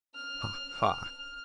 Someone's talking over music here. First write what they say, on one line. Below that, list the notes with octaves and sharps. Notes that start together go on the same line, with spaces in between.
Ha, ha!
F6